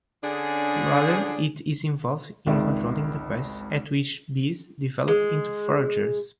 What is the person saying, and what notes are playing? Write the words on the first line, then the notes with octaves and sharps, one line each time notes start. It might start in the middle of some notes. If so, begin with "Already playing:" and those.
Rather it is involved in controlling the pace at which bees develop into foragers.
D3 C#4 D4 G#4
G#1 C#2 D#3 G#3 D5 E5
G#3